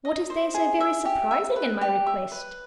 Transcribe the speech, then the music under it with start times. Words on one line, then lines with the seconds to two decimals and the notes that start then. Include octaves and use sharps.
"What is there so very surprising in my request?"
0.05 D#5
0.30 C5
0.54 G#4
0.80 E5
1.05 G4
1.31 E5
1.56 B4
1.81 G4
2.07 E5
2.32 B4